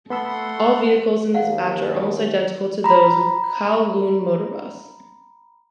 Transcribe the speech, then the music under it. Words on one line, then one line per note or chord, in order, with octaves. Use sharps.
All vehicles in this batch are almost identical to those with Kowloon Motor Bus.
A3 B3 A4 F#5 B5 C6 E6
D#2 F5 F#5
A#5 B5